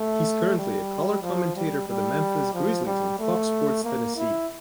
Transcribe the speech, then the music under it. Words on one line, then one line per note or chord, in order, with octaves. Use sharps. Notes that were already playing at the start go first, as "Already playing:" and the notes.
He is currently a color commentator for the Memphis Grizzlies on Fox Sports Tennessee.
Already playing: A3
G3
F3
G3
G3
F3
G3
A3
A#3
E4